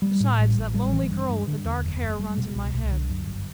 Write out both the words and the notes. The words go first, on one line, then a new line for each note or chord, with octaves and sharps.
Besides, that lonely girl with the dark hair runs in my head.
G3
A2
A1
A1
G3
E3
G2
G2
D3
E2
F#1
F#1
G3
B2
C2
C2
D3
F#2
G1